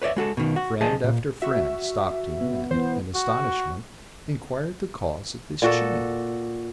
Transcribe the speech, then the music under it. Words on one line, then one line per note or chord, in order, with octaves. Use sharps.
Friend after friend stopped him, and, in astonishment, inquired the cause of this change.
B4 C#5 D5 E5
G#3 F#4 A4
B2 D#3
F#4
B1 G#4 C5 D#5 A5
A#2
F#4 E5
B3
E3 B3 C5
F#4
A#2 F#4 A4